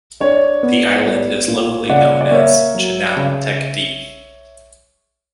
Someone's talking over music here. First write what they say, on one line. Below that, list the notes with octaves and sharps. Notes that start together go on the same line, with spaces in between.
The island is locally known as "Chinal Tekdi".
D4 C#5
B3
G3
A#2
C#3 D5 F#5
D5
A#3 C#5 E5
F#3
C#3